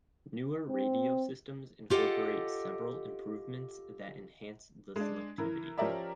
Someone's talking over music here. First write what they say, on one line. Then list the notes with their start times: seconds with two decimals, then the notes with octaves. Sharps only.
Newer radio systems incorporate several improvements that enhance the selectivity.
0.69 C4
1.90 F4 G4 A4 D#5 F#5
4.96 G#3 D4
5.38 E3 A#4
5.78 F3 C#4 G4 A#4 D5 E5